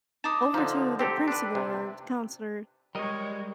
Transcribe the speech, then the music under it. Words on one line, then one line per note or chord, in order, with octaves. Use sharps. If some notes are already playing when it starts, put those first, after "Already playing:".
over to the principal or counselor,
D#4 A5 D6 D#6
D3 F3 D#4
C4 G4 A4
D4 B4
C3
G3 G#3 A#4 C#5 D#5